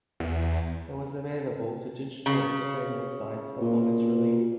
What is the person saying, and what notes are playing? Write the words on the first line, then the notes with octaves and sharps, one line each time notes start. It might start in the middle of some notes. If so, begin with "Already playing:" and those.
It was available to digital and streaming sites upon its release.
E2
C#3
A#2